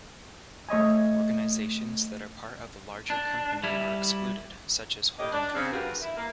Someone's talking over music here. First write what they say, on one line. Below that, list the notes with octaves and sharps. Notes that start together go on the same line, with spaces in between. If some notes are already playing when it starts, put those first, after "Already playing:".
Organisations that are part of a larger company are excluded, such as holding companies.
A3 C#5 D#5 G#5
D4
G3 E4
G3 A#3 D4 G4 C#5 D#5
D4
C#3 C4
D3 G3 F4 F#4 A#4 B4
E4
A#3